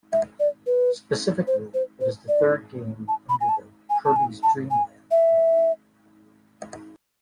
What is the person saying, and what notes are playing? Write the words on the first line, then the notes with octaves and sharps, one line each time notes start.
Specifically, it is the third game under the "Kirby's Dream Land" name.
E5
D5
B4
C5
C5
C5
D5
A5
B5
G#5
A5
G#5
A5
G#5
A5
G#5
E5